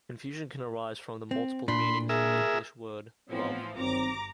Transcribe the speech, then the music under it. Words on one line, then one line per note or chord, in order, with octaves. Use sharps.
Confusion can arise from the multiple meanings of the English word "love".
C4
A#2 D4 B5 C6
G#4 A#4 E5
A2 E3 F3 B3 C4 C#5
G1 D#3 F#3 C4 A#5 D6